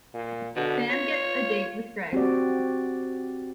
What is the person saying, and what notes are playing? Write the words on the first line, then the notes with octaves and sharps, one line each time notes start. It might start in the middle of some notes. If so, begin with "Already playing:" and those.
Sam gets a date with Greg.
A#2
B2 D3
F4 C#5
C4 F#4 G4 D5